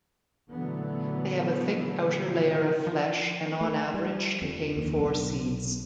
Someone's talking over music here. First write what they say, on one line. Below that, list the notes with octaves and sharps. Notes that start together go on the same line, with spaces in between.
They have a thick outer layer of flesh and on average contain four seeds.
A#2 D3 E3 F#3 A3 B3
F3
A3
G3
F2
D#2
B1